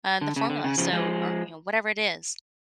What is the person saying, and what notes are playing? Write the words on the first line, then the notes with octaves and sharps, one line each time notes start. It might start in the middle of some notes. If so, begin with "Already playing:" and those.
uh, the formula. So or, you know, whatever it is,
D3
C#3
D3
C#3
C#3 F3
F3 G#3